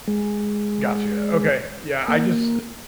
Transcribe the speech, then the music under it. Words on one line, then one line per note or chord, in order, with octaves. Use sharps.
gotcha. Okay, yeah. I just
G#3
A#3